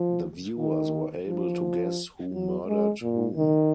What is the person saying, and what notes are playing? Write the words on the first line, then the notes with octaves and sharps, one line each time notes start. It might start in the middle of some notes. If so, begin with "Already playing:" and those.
The viewers were able to guess who murdered whom.
Already playing: F3
D#3
F3
F#3
G#3
A#2
D#3